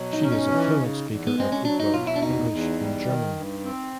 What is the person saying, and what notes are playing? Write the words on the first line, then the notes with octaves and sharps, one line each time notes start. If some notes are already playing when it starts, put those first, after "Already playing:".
She is a fluent speaker of Igbo, English, and German.
Already playing: B2 F#3
D#4
C#4
D#4
E3
C#3
E2
B3
G#3 C4
C#4
F#3 D4
D#4
B2 F4
E4
D4
E2 D#4
E2
G3
D#3
G2
C4